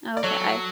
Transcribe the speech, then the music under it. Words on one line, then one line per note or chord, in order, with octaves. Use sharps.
Okay. I
D5
F#3 A4 C#5